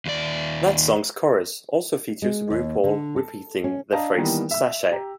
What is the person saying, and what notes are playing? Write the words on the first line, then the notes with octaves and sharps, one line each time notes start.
That song's chorus also features RuPaul repeating the phrase Sashay!
D#2 D5
G#3
D#2
D3
A4
C#4
D4 D#5 F5 A5 A#5
D#3 E3 G3 A#3 B3 D#4
E5 E6
G4 A#5